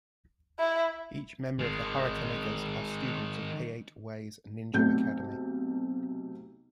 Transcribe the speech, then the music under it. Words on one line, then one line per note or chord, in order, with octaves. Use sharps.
Each member of the Hurricanegers are students of Hayate Way's Ninja Academy.
E4
D#3 G#3
B1 C3 A3 G6